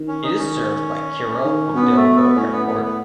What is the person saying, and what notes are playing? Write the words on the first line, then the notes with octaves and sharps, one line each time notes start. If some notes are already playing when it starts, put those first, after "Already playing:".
It is served by Kirov Pobedilovo airport.
Already playing: D#3
C#4
D#4
C#4
D#3
B2 B3
A3
B3
A2 C#4
B3
B3
B3